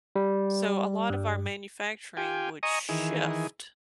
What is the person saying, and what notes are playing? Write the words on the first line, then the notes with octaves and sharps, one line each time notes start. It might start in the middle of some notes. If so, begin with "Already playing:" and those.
so, a lot of our manufacturing would shift.
G3
G2
F4 G4 G5 G#5
D#5 G#5 A#5 C#6 D#6
D#3 E3 G#4